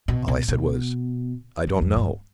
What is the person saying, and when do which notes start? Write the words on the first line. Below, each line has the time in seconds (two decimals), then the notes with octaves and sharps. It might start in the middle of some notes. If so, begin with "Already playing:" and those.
All I said was: "I don't know."
0.08 B2
0.28 B2
0.48 B2
1.67 G2
1.82 F2
1.96 G2